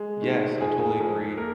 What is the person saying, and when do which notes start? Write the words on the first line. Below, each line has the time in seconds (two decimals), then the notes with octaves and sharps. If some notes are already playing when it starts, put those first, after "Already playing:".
Yes, I totally agree.
Already playing: G#3
0.21 D#3
0.61 F2 G#4
1.00 F2
1.37 A#3 A#4